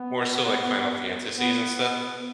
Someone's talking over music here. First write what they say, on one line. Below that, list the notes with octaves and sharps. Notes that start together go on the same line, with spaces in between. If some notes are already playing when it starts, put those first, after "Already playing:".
more, so, like, Final Fantasies and stuff.
Already playing: B3
B3
B3